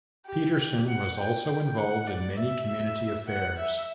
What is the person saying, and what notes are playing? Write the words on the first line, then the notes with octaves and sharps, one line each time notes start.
Petersen was also involved in many community affairs.
G4
F#5
G5
G5
F#5
D5
E5
F#5
E5